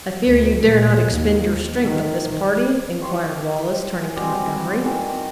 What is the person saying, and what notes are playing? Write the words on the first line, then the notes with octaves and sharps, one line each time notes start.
"I fear you dare not expend your strength on this party?" inquired Wallace, turning to Montgomery.
D2
A#2
D#2
D#3
E4 G4 C6 C#6
G#4
G3 G#3 C4 F#4
D#3 E3 F#4 C5